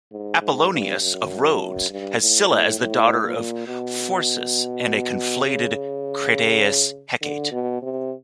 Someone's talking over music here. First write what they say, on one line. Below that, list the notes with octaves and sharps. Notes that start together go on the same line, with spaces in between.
Apollonius of Rhodes has Scylla as the daughter of Phorcys and a conflated Crataeis-Hecate.
G#2
G#2
G2
F#2
G2
A2
A2
A2
A#2
B2
C#3
D3
B2
C3